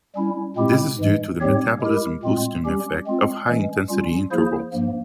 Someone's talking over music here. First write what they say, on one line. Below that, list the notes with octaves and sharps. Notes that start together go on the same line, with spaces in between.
This is due to the metabolism-boosting effects of high intensity intervals.
G3 C#4 E4
A#2 G#3 C4 E4 G4
G#2 E3 G#3
G#2 G3 C4 G4 C#5
G#3 E4 G4 A#4
A#2 G#3 C4 F4
G3 C#4 G4
G#3 C4 F4
E3 G#3 C#4
G3 C#4 F4
F3 A#3 E4 G#4 C5
G2 F3 A#3